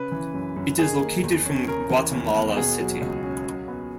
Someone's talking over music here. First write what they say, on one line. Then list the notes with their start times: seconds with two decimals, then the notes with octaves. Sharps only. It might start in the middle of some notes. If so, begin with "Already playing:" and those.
It is located from Guatemala City.
Already playing: C#3 B4
0.12 E3
0.34 F#2
0.56 F#2
0.79 D#3 G#4
1.01 A#3
1.23 E2
1.45 C#4
1.68 C#3 A#4
1.90 E3
2.13 D#2
2.35 B3
2.57 B2 G#4
2.79 F#3
3.01 C#2
3.24 C#4
3.46 F#3
3.68 B3